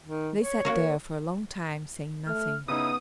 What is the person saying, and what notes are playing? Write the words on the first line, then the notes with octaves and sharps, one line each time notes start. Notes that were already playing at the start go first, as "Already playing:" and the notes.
They sat there for a long time, saying nothing.
D#3
C#5
A#3 F#4 A#4
A3 F6
C#3 B3 D#4 E4 D#6